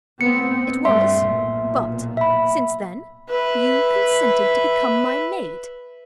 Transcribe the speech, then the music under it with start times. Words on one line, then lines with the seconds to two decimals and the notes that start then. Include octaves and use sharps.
"It was; but, since then, you consented to become my maid."
0.21 A2 B3 C4 C#7
0.85 G2 G3 A3 E5 C6
1.23 B1 A#2
2.17 E5 B5
3.30 B4 E5